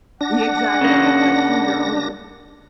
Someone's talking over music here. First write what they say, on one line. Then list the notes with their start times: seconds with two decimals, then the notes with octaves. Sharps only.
Yeah, exactly, like, through your own
0.21 D4 F#5 A#6
0.81 C#3 A#3